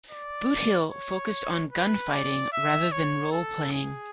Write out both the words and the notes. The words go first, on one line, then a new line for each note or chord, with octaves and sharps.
"Boot Hill" focused on gunfighting rather than role-playing.
D5
C#5
B4
D5
E5
C#5
A4
G#4